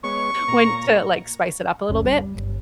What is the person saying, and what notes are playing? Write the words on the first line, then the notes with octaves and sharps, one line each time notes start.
when to, like, spice it up a little bit.
G#3 B3 C#5 C#6
A#2 A#5
F#1 C#2 C#4
G3
G1